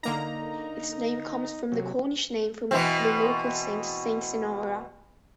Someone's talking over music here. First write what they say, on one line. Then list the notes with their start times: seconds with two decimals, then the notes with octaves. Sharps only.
Its name comes from the Cornish name for the local saint, Saint Senara.
0.03 D3 A#3 D#4 A#5
1.72 C3 F#3
2.71 B2 E3 C4